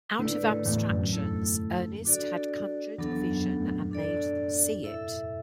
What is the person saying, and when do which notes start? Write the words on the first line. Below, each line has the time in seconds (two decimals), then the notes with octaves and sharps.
Out of abstractions Ernest had conjured a vision and made them see it.
0.19 A2 D3 E4
0.22 B4 D5
0.42 A2 D3
0.66 E2 A2
0.89 F#2
1.13 A3 E4 A4
2.05 D4 F#4 A4 D5
2.98 E2 F#3 B3 D4 A4
3.22 F#2
3.45 F#2
3.58 A2
3.68 F#2 B2
3.91 D4 A4 D5
4.84 E4 A4 E5